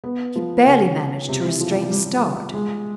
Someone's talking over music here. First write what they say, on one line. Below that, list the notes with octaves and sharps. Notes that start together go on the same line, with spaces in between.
He barely managed to restrain a start.
B3
F3
C#3
C3
E3
F3
G3
G3
G#3